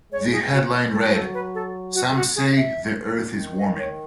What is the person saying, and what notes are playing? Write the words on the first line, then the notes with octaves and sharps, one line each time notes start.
The headline read: Some say the earth is warming.
G#3 C#5
G#4
F#4
F#3 A4
A4
B4
A4
F#4
G#4
F#4
G#4
E5
D#3
D#5
C#5